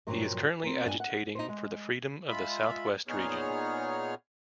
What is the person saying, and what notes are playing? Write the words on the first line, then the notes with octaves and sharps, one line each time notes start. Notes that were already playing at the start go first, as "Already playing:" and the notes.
He is currently agitating for the freedom of the south west region.
G2 A#2 F3 F#3
A#3 C4
G2 D4 G5 G#5
F#5
D#4 C5
G#3
G#3 F4 E5 B5
A#2 B3 D#4 G#4 C#5 F6